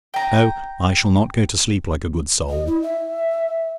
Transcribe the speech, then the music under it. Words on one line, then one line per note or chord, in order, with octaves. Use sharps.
No; I shall not go to sleep like a good soul.
G5 A#5
D#5
E4
E5